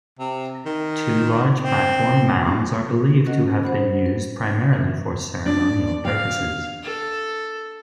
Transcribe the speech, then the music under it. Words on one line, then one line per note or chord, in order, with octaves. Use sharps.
Two large platform mounds are believed to have been used primarily for ceremonial purposes.
C3
D#3
C4
D#2
C#4 F#4 A#4 D#5 F#5
C5 F#5 B5
B4
E3
D4 D5
F5 G5
A4